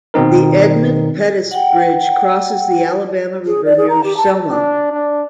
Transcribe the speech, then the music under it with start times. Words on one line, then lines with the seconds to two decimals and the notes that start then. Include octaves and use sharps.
The Edmund Pettus Bridge crosses the Alabama River near Selma.
0.14 B2 D#3 C4 D#4 A#4
1.51 F#5 G5
3.47 G#4
3.65 D5
3.78 G#4
3.90 A#5
4.04 G4
4.17 A5
4.51 D4
4.91 D4